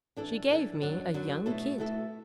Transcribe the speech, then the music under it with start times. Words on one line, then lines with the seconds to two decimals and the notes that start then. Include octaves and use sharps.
'She gave me a young kid.'
0.16 E3 D4 A4
0.49 E3 D4 A4
0.81 F#2 F#3 D4
1.14 F#2 F#3 D4
1.46 B2 A3 E4 A4
1.78 B2 A3 E4 A4